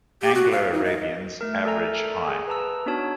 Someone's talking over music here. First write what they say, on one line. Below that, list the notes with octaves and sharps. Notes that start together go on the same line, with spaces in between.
Anglo-Arabians average high.
G4
F#4
F5
D#4
D#5
A3 A#4
A4 A#4 D5 E5 G#5 A#5
G#4 G#5
B4 A5 A#5 E6
B3 D4 D#4 F#4 C#5 A5